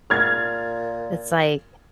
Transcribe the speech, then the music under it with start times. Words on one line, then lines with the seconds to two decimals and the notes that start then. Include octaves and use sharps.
It's, like,
0.10 A#2 F6 G#6 A6